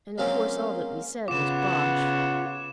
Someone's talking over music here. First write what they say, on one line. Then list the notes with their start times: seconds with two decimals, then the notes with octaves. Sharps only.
And of course all that we said was bosh.
0.18 F#3 G#3 A#3 C4 C#4
1.28 C#3 B3 F4 C#5 F#5 D6 E7